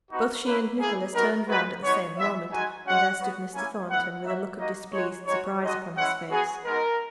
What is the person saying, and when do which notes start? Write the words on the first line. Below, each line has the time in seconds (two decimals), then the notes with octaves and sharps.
Both she and Nicholas turned round at the same moment, and there stood Mr. Thornton, with a look of displeased surprise upon his face.
0.10 B3 D#4 F#4
0.44 A#3 C#4 E4 B4
0.79 A#3 E4 G#4
1.13 B3 D#4 F#4 A#4
1.48 G#3 D#4 F#4 B4
1.82 G#3 B3 D#4 F#4 C#5
2.17 G#3 B3 E4 E5
2.51 G#3 D#4 F#4 G#5
2.86 G#3 C#4 F#4 F#5
3.20 B3 F#4
3.55 A#3 C#4 E4 G#5
3.89 B3 E4 F#5
4.23 A#3 D#4 F#4 E5
4.58 A#3 D#4 F#4 D#5
4.92 G#3 D#4 F#4 C#5
5.26 G#3 D#4 F#4 C#5
5.61 G#3 D#4 F#4 D#5
5.95 G#3 C#4 E4 F#5
6.30 B3 F#4 G#4
6.64 G#3 B3 D#4 F#4 A#4